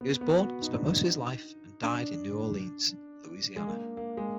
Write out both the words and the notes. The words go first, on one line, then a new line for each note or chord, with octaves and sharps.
He was born, spent most of his life, and died in New Orleans, Louisiana.
B3
B3
F#4
D#4
D4
D#4
D4
G#3
A#3
A#3
G#3